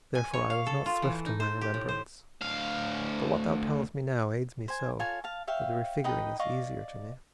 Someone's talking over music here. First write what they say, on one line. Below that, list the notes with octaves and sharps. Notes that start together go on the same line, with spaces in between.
Therefore I was not swift in my remembrance; But what thou tellest me now aids me so, That the refiguring is easier to me.
G#5
C#5
F5
A4
F4
E3
D#4
C5
G4
A2
C5
D2 F5
C5 G#5
F4 A4 C#5 G#5
F5 A5
C#5 E5 F5 G5
D#4 B4 D#5 G5
D5 D#5 F5 C#6